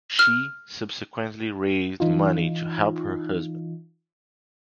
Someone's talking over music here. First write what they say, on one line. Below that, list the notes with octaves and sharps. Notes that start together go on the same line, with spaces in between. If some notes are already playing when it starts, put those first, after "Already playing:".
She subsequently raised money to help her husband.
F6
E3 D#4 F4